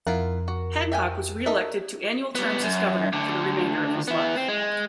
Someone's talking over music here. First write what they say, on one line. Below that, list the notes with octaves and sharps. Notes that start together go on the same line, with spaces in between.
Hancock was reelected to annual terms as governor for the remainder of his life.
F2 E4 F4 A#4 F#5
F#4
E5 G5 G#5
D#4 A4 A#4 E5
G3 B3
F#2
D2 D3
B3 E4
C4
G#3